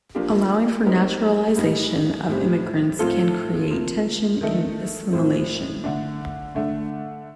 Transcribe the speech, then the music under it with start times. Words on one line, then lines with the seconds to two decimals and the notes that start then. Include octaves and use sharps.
Allowing for naturalization of immigrants can create tension in assimilation.
0.15 F3 A#3 D4 G4
0.86 G3 C4 D#4 G4 A#4
1.57 A2 G3 A#3 D#4
2.28 A2 G3 C4 G4
2.99 A2 F3 C4 F4 A4
3.71 C3 F3 A#3
4.41 D#3 A3 D#4 A4
5.13 A2 F3 C4
5.84 D3 A3 D4
6.55 D3 A3 D4